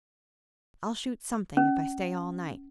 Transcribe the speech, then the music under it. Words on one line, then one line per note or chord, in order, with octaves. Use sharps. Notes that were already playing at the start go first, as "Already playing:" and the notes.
I'll shoot something, if I stay all night.
C#4